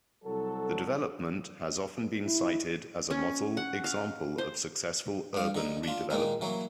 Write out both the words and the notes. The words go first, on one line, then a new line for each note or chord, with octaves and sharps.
The development has often been cited as a model example of successful urban redevelopment.
C2 F#3 A4
E4
C#4
F#5
F5
C5
G2 F5
D3 D#4
D4 F4
A#2 D#3 G#3 A#3
E3 F#3 A#3